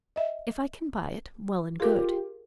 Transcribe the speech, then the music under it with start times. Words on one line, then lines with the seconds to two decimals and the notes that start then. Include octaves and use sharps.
If I can buy it, well and good.
0.16 D#5 E5
1.80 F4 G4 G#4 A#4